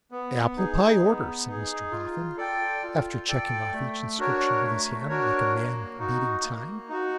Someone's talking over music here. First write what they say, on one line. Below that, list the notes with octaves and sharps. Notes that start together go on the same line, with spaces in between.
'Apple-pie order!' said Mr Boffin, after checking off each inscription with his hand, like a man beating time.
B3
D#4 G#4
B3
D#4 G#4
F4
A4 D5 G5
F4
A4 D5 G5
A3
D4 F#4 A#4 C#5
A3
D4 F#4 A#4 C#5
A#3
D#4 F#4
A#3
D#4 F#4